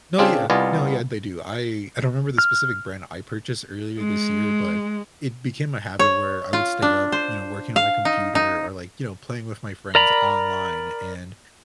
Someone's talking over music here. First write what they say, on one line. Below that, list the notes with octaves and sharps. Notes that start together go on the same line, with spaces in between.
No, yeah. No, yeah, they do. I I don't remember the specific brand I purchased earlier this year, but, it became a habit where I would stay up, you know, working on my computer or, like, you know, playing with my friends online, and,
C#3 C4 D4 F4 G#4
C2 B3 F4 D5 D#5 G#5
F6
G#3
C#5
F4
D4
C5
F5
D#4
D#4
A#4 D5 A#5 B5